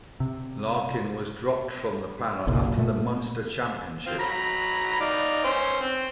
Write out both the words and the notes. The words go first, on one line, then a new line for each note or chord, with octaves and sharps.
Larkin was dropped from the panel after the Munster Championship.
C3
F#1 B1 A#2 C#3
A#2 A3
F3 C4 F5
F#3 A#5 B5
D#4 D5 F5
C#4 C5
C4